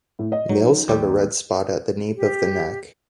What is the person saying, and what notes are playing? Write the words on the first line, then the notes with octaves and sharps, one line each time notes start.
Males have a red spot at the nape of the neck.
A2
D#5
F#3 D#4
D#2 G3 G4
G4